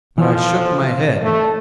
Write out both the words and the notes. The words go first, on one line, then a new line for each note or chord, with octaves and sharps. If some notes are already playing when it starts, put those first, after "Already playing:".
But I shook my head.
F2 E3 F3
A3